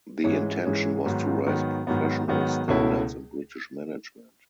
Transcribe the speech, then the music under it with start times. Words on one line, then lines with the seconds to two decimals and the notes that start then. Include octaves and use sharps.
The intention was to raise professional standards in British management.
0.24 G#2 E3 G#3 C#4 G#4
0.65 G#2 E3 G#3 C#4 G#4
1.06 G#2 D#3 F#3 B3
1.46 G#2 D#3 F#3 B3
1.87 G#2 D#3 F#3 B3
2.28 G#2 D#3 F#3 B3
2.68 C#2 B2 A3 C#4 E4